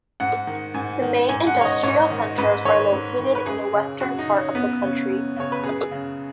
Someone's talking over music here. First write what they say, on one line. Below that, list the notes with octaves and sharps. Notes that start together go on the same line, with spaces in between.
The main industrial centers are located in the western part of the country.
G#2 F#5
D#3
G#2 G#5
D#3
G#2 G#5
F#5
D#3 C#5
D#5
G#2 C#5
D#3
G#2 B4
D#3 C#5
G#2
D#3
B4
F#2 G#4
C#3
F#2 F#4
D#4
C#3
C#4
F#2 B3
C#3 C#4
F#2
C#3 C#5
B4
F#2 G#4
C#3